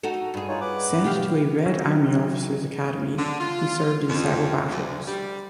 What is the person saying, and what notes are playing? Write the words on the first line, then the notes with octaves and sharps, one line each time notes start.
Sent to a Red Army officer's academy, he served in several battles.
D#4 F#4 A4
G2 G#4
D#4 F4 C#5
B4 F#5 D6
B2 G4 F5
D#3 E3 F#3 C#4 D#4
D3
F4
F2
D2
G3